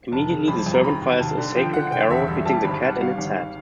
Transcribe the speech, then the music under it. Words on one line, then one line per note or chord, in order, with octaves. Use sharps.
Immediately the servant fires a sacred arrow, hitting the cat in its head.
F1 A5
C#3
F2 B5
F2
A#5
D#2 B5
D#2
D#2 A5
D3
F3 G5
D3 F#5
D3 G5
E1 E5
G2 E5
G3 A5
G#1 B5
G3 F#5
G2 F5
G#1
F5